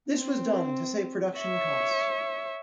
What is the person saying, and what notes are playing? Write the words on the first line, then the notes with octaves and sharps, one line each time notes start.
This was done to save production costs.
C4
C#5 E5